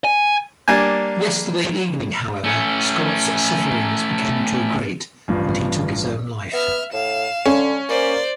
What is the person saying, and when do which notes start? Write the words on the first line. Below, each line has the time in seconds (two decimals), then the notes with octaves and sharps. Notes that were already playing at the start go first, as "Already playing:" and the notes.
Yesterday evening, however, Scott's sufferings became too great, and he took his own life.
0.04 G#5
0.68 G3 A#3 D4 G#5
2.44 A3 C#4
5.28 A1 G2 F3
6.53 B3 E5 F6
6.93 A2 F5 E7
7.46 D3 C#4
7.89 A#3 C5 D5